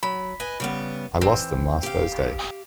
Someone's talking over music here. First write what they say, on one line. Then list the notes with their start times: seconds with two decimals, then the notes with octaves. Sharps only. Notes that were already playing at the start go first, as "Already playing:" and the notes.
I lost them last Thursday.
0.03 F#3 B5
0.40 B4 D#5 G#5
0.60 C#3 G3 B3
1.21 E3 C4
1.83 G4 F5